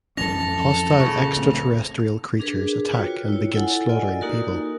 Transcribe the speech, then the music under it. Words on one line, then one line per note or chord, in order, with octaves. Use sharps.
Hostile extraterrestrial creatures attack and begin slaughtering people.
F2 E3 C#4 A4 A#6 F7
A#2 C#3
D1 A1 C4
D4 G#4 A#4 B4
F4 F#4 B4 C#5 G5
E4 C#5
E4 F4 A4 F#5 G#5
F4 A4 D5 D#5 G#5
A#3 D#4 F#4 G4 A#4